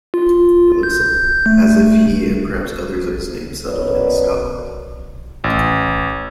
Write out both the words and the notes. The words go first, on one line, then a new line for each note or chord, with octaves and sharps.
It looks as if he, and perhaps others of his name settled in Scotland.
F4
G6
A3
F#2 B2 A#4 B4 C#5 D5
A1